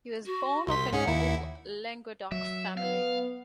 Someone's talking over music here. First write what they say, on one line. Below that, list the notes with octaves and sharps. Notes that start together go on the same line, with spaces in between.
He was born of an old Languedoc family.
F#4
C2 C6 B6
G#2 C#4 G#4 F#5
D#2 E4
F#3 E5
B3 F5